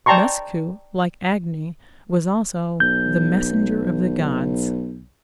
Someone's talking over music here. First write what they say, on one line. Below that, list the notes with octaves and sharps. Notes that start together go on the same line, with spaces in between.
Nusku, like Agni, was also the "messenger of the gods".
D5 G5 A5 A#5 C6 C#6
B1 G6